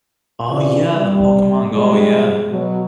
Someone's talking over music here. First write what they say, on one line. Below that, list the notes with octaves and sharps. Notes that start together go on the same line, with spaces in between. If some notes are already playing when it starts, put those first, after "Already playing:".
Oh yeah, the Pokemon Go, yeah.
C3 E3 F4 D5
G3
F3 G3 G#3
B2 F#3